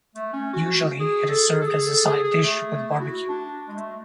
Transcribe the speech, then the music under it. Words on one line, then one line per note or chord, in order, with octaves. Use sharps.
Usually, it is served as a side dish with barbecue.
A3
C#4
F#4
G#4
A4
G#4
A4
G#4
A4
G#4
G#4
A3
A3
E4
F#4
D4
G#3
A3